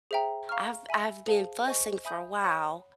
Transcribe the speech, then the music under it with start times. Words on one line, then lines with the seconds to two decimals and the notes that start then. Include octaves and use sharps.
I've I've been fussing for a while,
0.11 G#4 C5 E5 G5 A#5
0.49 F5 A#5 C#6 F6
0.89 E5 G#5 B5 E6
1.27 G#4 C5 F5 A5
1.65 C5 D#5 G#5 C#6
2.05 E5 G#5 B5 D#6 G6
2.43 C#5 F#5 B5 D#6 F#6